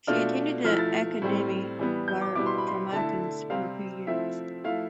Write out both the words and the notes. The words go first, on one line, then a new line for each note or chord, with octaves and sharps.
She attended the Akademie vir Dramakuns for two years.
B2 A3 D4 F4 F6
F3 A3 E4 F6
A6
A2 G3 C4
E3 G3 B3
G6
D6
B2 G3 B3 E4 D6
C6
B5
C6
D3 A3 E4 A5
C3 G3 C4 F5
F3 A3 C4 E4 E5
F3 A3 E4 F5